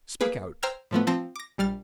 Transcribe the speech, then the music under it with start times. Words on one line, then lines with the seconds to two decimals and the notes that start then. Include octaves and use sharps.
"Speak out."
0.21 A#3 G#4 B4
0.63 C5 G5 A#5 E6 F6 G#6
0.91 A2 F3 A3 B3
1.07 F3 C4 A5 A#6
1.36 D6 A#6
1.58 A#1 G3 F6 A6